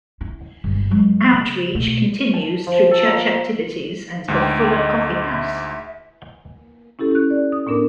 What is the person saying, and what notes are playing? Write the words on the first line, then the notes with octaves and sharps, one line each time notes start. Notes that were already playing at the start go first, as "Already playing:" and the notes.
Outreach continues through church activities and the Fuller Coffee House.
E4
G1 G#2
F#3 G#3
C#3
B2 A3
A5
F3
A4
A#3
D2 G#2
G5
D#5
E5
C#4 E4 G4 A4
C#4 F#6
D5
D#6
A2 B3 D4 A#4 D6